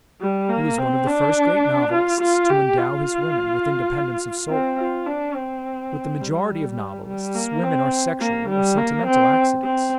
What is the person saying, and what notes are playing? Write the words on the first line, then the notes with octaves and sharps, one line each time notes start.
He was one of the first great novelists to endow his women with independence of soul. With the majority of novelists, women are sexual or sentimental accidents.
G3
A#3
C4
D4
F4
F4
G4
F4
C4
F4
D4
C4
G3
G3
A#3
C4
A#3
G3
A#3
C4
C4